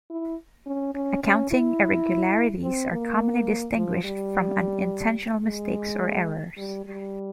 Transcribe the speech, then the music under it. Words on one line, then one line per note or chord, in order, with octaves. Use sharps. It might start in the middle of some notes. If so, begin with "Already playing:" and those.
Accounting irregularities are commonly distinguished from unintentional mistakes or errors.
E4
C#4
C#4
C#4
E4
C4
A#3
F3
G3
G#3
G3
G3